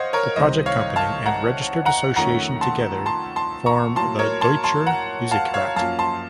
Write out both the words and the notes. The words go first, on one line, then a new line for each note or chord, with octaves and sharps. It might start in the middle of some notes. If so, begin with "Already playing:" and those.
The project company and registered association together form the Deutscher Musikrat.
Already playing: C5 C#5 D#5 F5 F#5
A#4 C#5
C2 C3 D#3 C5 D#5
C#5 F5
F5 A5
F#5 A#5
F#5 A#5
F2 D#3 A3 C#4 F#5 A#5
A5 C6
A5 C6
A5 C6
A#5 C#6
A2 F#3 A#3 A5 C6
A#4 C#5
A5 C6
A5 C6
F#5 A#5
F5 A5
C#5 F5
F#2 F3 A#3 C#4 F5 A5
A5 C6